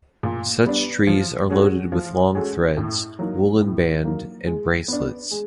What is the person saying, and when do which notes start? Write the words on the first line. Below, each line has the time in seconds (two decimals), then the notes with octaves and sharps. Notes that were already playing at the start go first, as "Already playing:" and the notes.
Such trees are loaded with long threads, woollen band, and bracelets.
0.23 A#2
0.66 G3 B3 D4
1.07 F3
1.50 G#3 C#4 F#4 A4
1.92 F3
2.35 G#3 C#4 F#4 A4
2.77 A2
3.19 F#3 A#3 D#4
3.61 A2
4.04 F#3 A#3 D#4
4.47 G#3
4.88 B3 D4
5.31 G#3